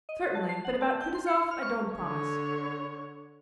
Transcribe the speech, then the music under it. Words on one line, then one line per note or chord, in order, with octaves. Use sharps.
"Certainly; but about Kutuzov, I don't promise."
D#5
F#4
A5
C7
F#5
A5
G6
C6
C#7
F6
C#6
D3 C#5